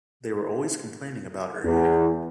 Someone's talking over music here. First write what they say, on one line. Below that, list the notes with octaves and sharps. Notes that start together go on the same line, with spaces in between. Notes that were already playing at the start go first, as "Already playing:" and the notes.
They were always complaining about her hair.
E2